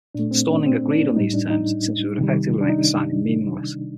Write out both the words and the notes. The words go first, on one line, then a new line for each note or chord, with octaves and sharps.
Stauning agreed on these terms, since it would effectively make the signing meaningless.
A#2 A3 D4
C4
D4
C4
D4
A2 G3 D#4
D4
D#4
C3 D#3 G3
D4
D#4